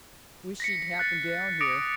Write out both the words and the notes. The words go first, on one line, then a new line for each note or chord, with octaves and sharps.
Wish she'd happen down here.
A#6 B6 C#7
F#6 A6
D6 D#6 A#6 C#7 D7